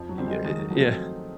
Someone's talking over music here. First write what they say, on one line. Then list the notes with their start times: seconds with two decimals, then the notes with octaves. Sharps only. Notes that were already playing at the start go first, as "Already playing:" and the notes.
ye yeah,
Already playing: F2 F3
0.09 F#3
0.18 D3 G3 C4 F4
0.27 G#3
0.44 D#3 G#3
0.58 F#3
0.70 F3 F#3 A3 C4